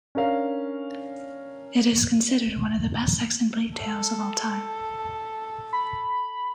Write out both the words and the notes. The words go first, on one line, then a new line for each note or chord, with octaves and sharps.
It is considered one of the best Sexton Blake tales of all time.
C#4 D4 A#4 F5
A4
B5